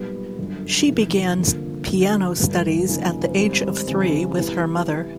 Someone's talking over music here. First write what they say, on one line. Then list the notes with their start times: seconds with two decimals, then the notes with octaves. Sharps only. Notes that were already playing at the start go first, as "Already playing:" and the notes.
She began piano studies at the age of three with her mother.
Already playing: B1 A#2 G3 B3
0.39 G1 F#2 D3 G3
0.88 F1 E2 C3 D#3
1.38 G1 F2 D3 F3 A#3
1.88 D2 D3 F#3
2.38 G1 G2 D3
2.88 F#2 C#3 F3 A#3 D#4
3.38 G#2 D#3 G3 C4 D#4
3.87 E2 C#3 E3 G3 C4
4.38 E3 G3 B3 E4